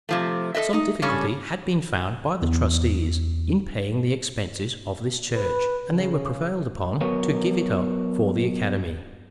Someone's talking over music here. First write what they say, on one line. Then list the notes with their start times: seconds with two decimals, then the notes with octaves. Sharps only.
Some difficulty had been found by the trustees in paying the expenses of this church, and they were prevailed upon to give it up for the academy.
0.09 C3 F3 A3
0.55 A4 B4 D#5 E5
0.73 D#4 D#5
1.02 C#3 G3 C#4 D4 A4
2.42 E2
5.35 B4
5.89 C#3
7.01 F#3 B3 A#4 C#5